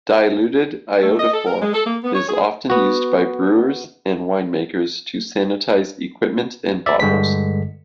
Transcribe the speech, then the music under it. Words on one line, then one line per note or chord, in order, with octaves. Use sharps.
Diluted iodophor is often used by brewers and winemakers to sanitize equipment and bottles.
A3
D#5
A4
A#4
G#3
A4
A#3
B3
C#5
G#4
B3 F#4
D5 E5
G2 D3 G#3 B6